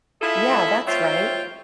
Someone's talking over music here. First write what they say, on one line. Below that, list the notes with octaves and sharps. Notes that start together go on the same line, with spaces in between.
Yeah, that's right!.
E4 F4 G#4 A4 D#5 E5
F4 C5 C#5 E5 F5 G5